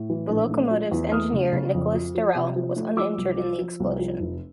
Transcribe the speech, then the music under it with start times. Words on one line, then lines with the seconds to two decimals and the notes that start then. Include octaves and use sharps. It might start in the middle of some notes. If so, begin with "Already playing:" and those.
The locomotive's engineer Nicholas Darrell was uninjured in the explosion.
Already playing: A2
0.10 E3
0.29 A#1
0.51 A3
0.71 F3
0.91 E2
1.12 A3 D#6 F6
1.33 C#3
1.53 C#3
1.74 F2
1.94 F3
2.15 F3
2.35 C3
2.56 F3
2.76 A3
2.97 F3 D6 E6
3.18 C2
3.38 F3
3.59 F3
3.80 C2
3.99 F3
4.20 F1